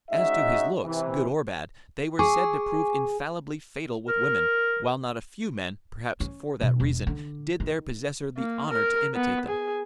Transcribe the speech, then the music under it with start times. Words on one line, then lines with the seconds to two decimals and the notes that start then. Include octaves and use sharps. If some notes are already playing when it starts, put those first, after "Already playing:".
As to his looks, good or bad, they were said to prove infallibly fatal with women, while not a few men, perhaps for that reason, did their possessor the honour to imitate them.
0.11 G#3 C#4 D#4 F#4 D#5 E5
0.84 C3 E3
2.19 G#4 G#5 C#6 D6
4.08 A#4
6.20 C#4
6.61 B2
6.80 E1
7.07 D3
7.60 D#3
8.37 A#3
8.69 A#4
9.15 B3
9.48 G#4